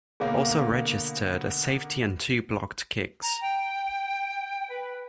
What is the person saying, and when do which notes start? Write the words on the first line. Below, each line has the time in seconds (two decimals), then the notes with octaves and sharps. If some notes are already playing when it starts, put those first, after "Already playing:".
Also registered a safety and two blocked kicks.
0.20 B2 D3 A#3 G#4 C#5 F5
3.22 A#5
3.40 G5
4.70 B4